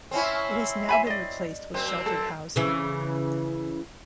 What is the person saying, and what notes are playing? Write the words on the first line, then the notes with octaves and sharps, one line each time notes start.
It has now been replaced with sheltered housing.
C4 C#4 E4
E5 G#5 B5
D5 D#5
F#2 C4
A4
C#3 E3